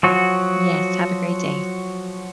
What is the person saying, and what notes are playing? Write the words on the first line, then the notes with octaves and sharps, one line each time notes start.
Yes, have a great day.
F3 F#3 F#4